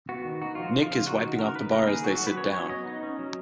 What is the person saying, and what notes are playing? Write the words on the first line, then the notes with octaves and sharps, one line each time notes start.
Nick is wiping off the bar as they sit down.
B3 F#4
D#3
D#4 F#4
F3 F4
F3
F4
C#3
D#4 F#4
D#3
C#3 A#4
C#3 B4
A#3 A#4
D#3 G#4
F#3 F#4
F#4
F#3
B4
C#4 C#5
F#3 C#5
B3 D#5
D#4
C#4
F#3